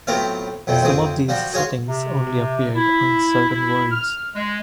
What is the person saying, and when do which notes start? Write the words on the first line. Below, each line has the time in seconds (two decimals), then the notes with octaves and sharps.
Some of these settings only appeared on certain worlds.
0.07 A2 F#3 B3 C4 F4 F5
0.67 B1 F2 C3 G3
0.83 A1 F2 C4 G#4
1.28 F3 G3 F#4
1.53 F#4 G#4 C#5 F5 C6
1.86 C3
2.75 E4
3.49 E4
3.92 F6
4.35 G#3